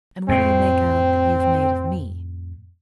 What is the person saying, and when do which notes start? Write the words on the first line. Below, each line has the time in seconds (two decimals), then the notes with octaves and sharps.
"And what do you make out that you've made of me?"
0.29 F2 A2 C4